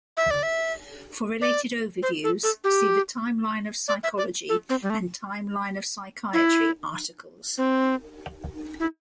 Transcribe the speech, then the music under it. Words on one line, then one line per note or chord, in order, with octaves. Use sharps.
For related overviews see the Timeline of psychology and Timeline of psychiatry articles.
E5
D5
E5
D5
C5
A4
A4
G4
D5
E5
D5
A4
C4
G3
A3
E4
C4
E4